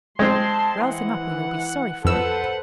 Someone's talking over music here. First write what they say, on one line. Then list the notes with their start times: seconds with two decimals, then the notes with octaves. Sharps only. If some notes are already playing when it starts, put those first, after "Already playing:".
"Rouse him up, or you'll be sorry for it."
0.19 G#3 C4 A5 C6
0.80 E3 F#5
2.05 F2 A4 B4 C5 F#5 E6